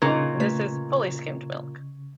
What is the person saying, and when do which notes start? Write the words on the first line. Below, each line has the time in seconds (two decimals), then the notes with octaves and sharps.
This is fully skimmed milk.
0.02 A#2 C#3 D4 D#4 A#4 A#5 C#6 G#6
0.40 A3 B4 B6